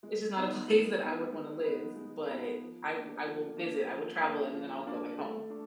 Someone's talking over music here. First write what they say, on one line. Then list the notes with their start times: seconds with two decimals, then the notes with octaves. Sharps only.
it's just not a place that I would want to live, but I wi I will visit, I will travel and then I'll go back home.
0.03 G#3
0.35 B3 D#4
0.68 G#3
1.00 B3 D#4
1.32 G#3
1.64 B3 D#4
1.96 G#3
2.28 B3 D#4
2.61 F3
2.93 A#3 D4
3.25 F3
3.57 A#3 D4
3.89 F3
4.22 A#3 D4
4.54 F3
4.87 A#3 D4
5.18 A3
5.50 D4